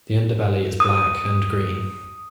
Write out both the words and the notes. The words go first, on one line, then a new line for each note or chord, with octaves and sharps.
The underbelly is black and green.
D#6